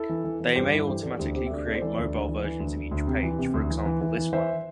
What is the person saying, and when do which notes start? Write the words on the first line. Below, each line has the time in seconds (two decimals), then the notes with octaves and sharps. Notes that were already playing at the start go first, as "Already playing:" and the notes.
They may automatically create "mobile" versions of each page, for example this one.
Already playing: E4 A4
0.09 E3
0.24 E3
0.40 E3
0.56 G2 G4 C5
0.72 G2 E4 A4
0.87 E3 G4 C5
1.02 E3 A4 D5
1.18 D2 G4 C5
1.35 C3 G4 C5
1.46 E5
1.50 D2 A4 D5
1.66 C3 A4 D5
1.75 C5
1.82 E3 A4 D5
1.97 D2
2.14 D2
2.29 E3
2.44 E3
2.60 D2
2.76 D2
2.91 D2
3.07 C3
3.23 E3
3.39 C3
3.54 D2
3.70 E3
3.86 E3
4.01 E3
4.17 E3
4.33 E3 C5 E5